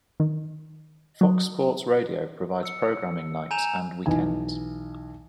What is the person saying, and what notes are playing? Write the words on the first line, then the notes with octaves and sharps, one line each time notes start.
Fox Sports Radio provides programming nights and weekends.
D#3
F#3
E6 C#7
G#5 A#5 G6 E7 F7
B1 E3 G#5